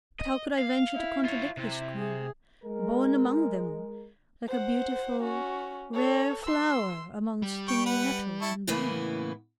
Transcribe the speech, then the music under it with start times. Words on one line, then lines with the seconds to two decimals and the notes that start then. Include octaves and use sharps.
But how could I venture to contradict this Queen, born among them, like a beautiful, rare flower among stinging nettles and brambles?
0.20 D#5
0.58 F5
0.95 E4
1.25 F4 C#5
1.57 C3 E4
1.98 G#4
2.64 G#3 A#4
4.48 C5 F#5
5.22 C#4 F#4
5.94 A4 C#5
6.44 C6 E6
7.42 G3
7.68 G5 C#6
7.86 B4 F#5
8.41 E4 A5 C#6
8.67 A2 C#3 E3 A#3 B3 E4